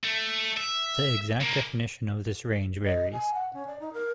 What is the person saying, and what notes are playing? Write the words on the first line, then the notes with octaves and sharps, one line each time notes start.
The exact definition of this range varies.
A3
E5
C#2 A#3
D#5
G#5
F#5
C#4
D5
D#4
A#4